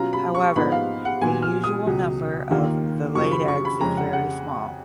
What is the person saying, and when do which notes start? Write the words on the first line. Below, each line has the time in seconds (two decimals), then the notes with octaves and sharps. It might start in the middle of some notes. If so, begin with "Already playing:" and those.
However the usual number of the laid eggs is very small.
Already playing: B2 F#3 C#4 F4 A#5
0.13 B5
0.35 C#6
0.56 G#2 F3 B3 D#4 B5
0.72 F5
1.05 F#5
1.21 A#2 F#3 B3 G#5
1.42 F6
1.64 D#6
1.86 C#2 B2 F#3
2.51 D#2 D#3 A#3 F4
3.15 F#2 C#3 F3 C#6
3.31 B5
3.48 C#6
3.65 B5
3.81 F2 C#3 G#3 C#4 A#5
3.97 F#5
4.13 F#5